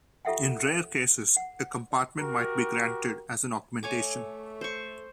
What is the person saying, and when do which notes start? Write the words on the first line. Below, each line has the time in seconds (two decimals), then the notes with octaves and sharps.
In rare cases, a compartment might be granted as an augmentation.
0.25 F4 G4 A4 E5 F#5 G5
1.37 F#5
2.19 F#4 G4 A#4
3.83 A3 C#5 G#5 D6
4.61 C5 C#6